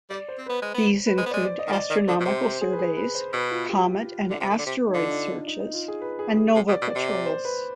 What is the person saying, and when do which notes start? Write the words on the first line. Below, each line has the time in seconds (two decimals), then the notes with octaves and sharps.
These include astronomical surveys, comet and asteroid searches, and nova patrols.
0.10 G3 D5
0.29 C5
0.38 C4
0.46 B3 B4
0.62 G#3
0.74 B3
1.06 B4
1.18 G#3 C5
1.26 B3
1.31 G#3 D5
1.44 D5
1.59 D#5
1.67 D#3
1.72 F3 D5
1.90 D#3 D5
2.08 D3 C5
2.20 B2
2.25 C3 C5
2.43 C5
2.61 G#4
2.73 B4
2.79 G#4
2.97 B4
3.15 C5
3.33 B2 B4
3.51 F4
3.69 G4
4.30 D3
4.40 C3
4.50 D#3
4.58 D3
4.66 C3
4.88 D#4
4.94 D3 F4
5.06 D4
5.11 D#4
5.29 D4
5.47 D#4
5.60 D#4
5.74 F4
5.88 G#4
6.02 B4
6.19 G#4
6.36 G#4
6.55 C3
6.68 B2
6.72 D5
6.82 B2
6.90 D5
6.95 C3
7.08 D5
7.26 C5
7.45 B4